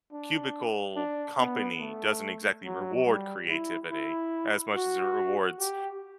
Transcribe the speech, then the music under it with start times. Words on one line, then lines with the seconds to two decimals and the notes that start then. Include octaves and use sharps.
cubicle company doesn't exactly reward creativity as much as it rewards
0.12 D4
0.96 D4
1.38 B3
1.80 A3
2.64 F#3
3.07 G3
3.49 E4
3.91 E4
4.75 F#4
5.59 G4